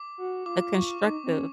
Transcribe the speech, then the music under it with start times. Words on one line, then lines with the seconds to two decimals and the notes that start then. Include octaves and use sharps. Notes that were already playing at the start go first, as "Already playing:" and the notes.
A constructive
Already playing: D6
0.18 F#4
0.46 F4 D6
0.75 C#6
1.04 D#4 D6
1.24 C4
1.32 C#4